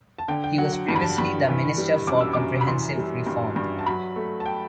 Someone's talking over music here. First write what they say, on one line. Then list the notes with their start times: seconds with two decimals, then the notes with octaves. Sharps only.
He was previously the minister for comprehensive reform.
0.18 A5
0.28 D3 G5
0.44 G5
0.58 F#3 F#5
0.73 F#5
0.89 G2 A5
0.96 B5
1.02 A5
1.18 G2 B5
1.48 E3
1.78 G3
2.07 F#2 D6
2.21 E6
2.33 F#2 D6
2.61 B5
2.67 E3 C6
2.97 G3
3.27 G2
3.56 G2
3.79 A5
3.86 F#3 B5
4.16 A3
4.40 A5
4.46 G5